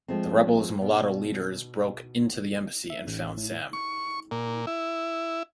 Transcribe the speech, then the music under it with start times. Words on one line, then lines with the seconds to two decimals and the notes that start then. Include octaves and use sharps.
The rebels' mulatto leaders broke into the embassy and found Sam.
0.08 F3 G#3 A3 C4
0.82 B2
2.90 E5
3.07 A1
3.37 A2
3.73 C#6
4.31 A#2
4.67 E4